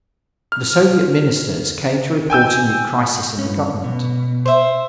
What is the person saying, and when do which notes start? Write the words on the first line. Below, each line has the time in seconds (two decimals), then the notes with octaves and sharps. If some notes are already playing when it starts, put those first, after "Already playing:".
The Soviet ministers came to report a new crisis in the government.
0.52 F6
2.30 G5 G#5 E6 G6
3.39 G2 C#4
3.84 B2
4.46 C5 E5